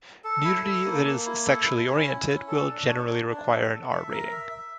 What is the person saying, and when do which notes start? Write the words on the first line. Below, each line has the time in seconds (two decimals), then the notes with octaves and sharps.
Nudity that is sexually oriented will generally require an R rating.
0.24 A4
0.44 E4
0.64 A4
0.85 A#3
1.05 A#3
1.26 E4
1.46 A4
1.67 E4
1.87 C#4
2.07 E4
2.28 C#4
2.48 A4
2.69 D4
2.88 C#5
3.09 D4
3.30 D4
3.49 A4
3.70 A4
3.91 E5
4.11 A#4
4.32 E5
4.51 E5